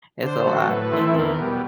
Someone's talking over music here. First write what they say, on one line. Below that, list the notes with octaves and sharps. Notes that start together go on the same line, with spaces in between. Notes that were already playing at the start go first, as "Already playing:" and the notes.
It's a lot. Mhm.
D3 C5
F#3 A3
A2 B4
E3 A3 C4 E4
E2 A#4
B2 G3